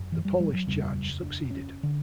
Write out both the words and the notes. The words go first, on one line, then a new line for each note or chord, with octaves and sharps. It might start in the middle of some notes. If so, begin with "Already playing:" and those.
The Polish charge succeeded.
Already playing: G1 F#2
E3
G3
G3
F#3
F#1 E2 C#3 G3
D4
C#4
D3